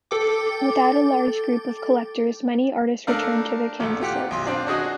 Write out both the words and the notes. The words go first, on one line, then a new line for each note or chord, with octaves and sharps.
Without a large group of collectors many artists returned to their canvases.
A4 G5 D6
A3 D4 A#4 F5
A#1 A3
F4 G4 F#5
B1 C6
C4 D4 F4
D4 F#4 G#4 D#5